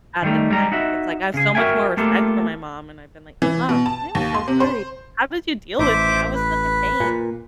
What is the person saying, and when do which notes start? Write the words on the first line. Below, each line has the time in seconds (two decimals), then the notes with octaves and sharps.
at the time. It's like, I have so much more respect for my mom, and I've been like, "Mom, I am so sorry, how did you deal with me? I was such a pain."
0.22 D#3 E3 G3 A3 D#4
0.50 G3 G#3 A#5
0.72 D#4 F#4 E5
1.34 C#3 G#4
1.55 F#4 G4 A#4 E5 G5 G#5
1.97 A3 A#3 F4 G4 A4
3.42 E3
3.69 B2
3.86 A5
4.15 D#2
4.34 C6
4.48 C3
4.60 C5
5.79 A1 C5 E5 D6
6.35 B4
7.00 A#2